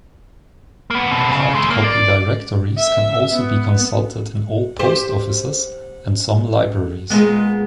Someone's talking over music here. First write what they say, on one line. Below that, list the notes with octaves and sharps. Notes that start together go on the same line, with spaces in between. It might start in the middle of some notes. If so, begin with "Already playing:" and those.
Hard-copy directories can also be consulted in all post offices, and some libraries.
A#3 B3
B2 C4
C#3
G#3 A3
A#3
D5
E5
B3
G4 C5
A#2 G#3 B3